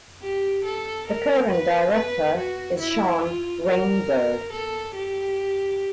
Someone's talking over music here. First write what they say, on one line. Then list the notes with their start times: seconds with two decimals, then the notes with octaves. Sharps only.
The current director is Sean Rainbird.
0.22 G4
0.65 A4
1.08 A#4
1.51 B4
1.94 B4
2.37 F#4
2.80 E4
3.24 F4
3.66 A#4
4.53 A4
4.95 G4